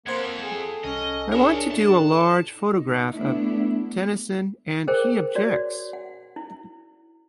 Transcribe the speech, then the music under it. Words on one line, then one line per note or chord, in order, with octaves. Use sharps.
I want to do a large photograph of Tennyson and he objects!
F2 A#3 C5 F#5 G#6
G#4 A4
C2 C#4 D#5
D4 G#4 A#4 C#5 A5
A2 A5
D#4
A3 B3 D4 E4
G#4 A#4 C5 G5
F#4 C#5 D5
F#5
E4